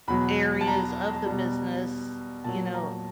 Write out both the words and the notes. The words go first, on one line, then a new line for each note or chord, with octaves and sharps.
areas of the business, you know,
E2 B2 F#3 B5
A5
A#5
B2 G3
A#2 F#3 A5
A#5